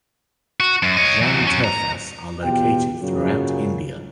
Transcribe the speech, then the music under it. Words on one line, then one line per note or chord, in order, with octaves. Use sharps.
Jain tirthas are located throughout India.
F#4
F#2
C#5 D#5
E3 F#3
F#3 C#4
A#5
E2 B2 F4 G4 G5
F#2 A#2 C#3 F#3